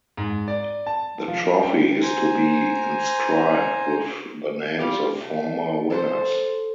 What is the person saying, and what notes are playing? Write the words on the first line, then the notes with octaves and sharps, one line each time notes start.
The trophy is to be inscribed with the names of former winners.
G#2
D5
A5
F3
G5
C5 G#5 A#5
G3 F4 G4
A3
A4 B4 C5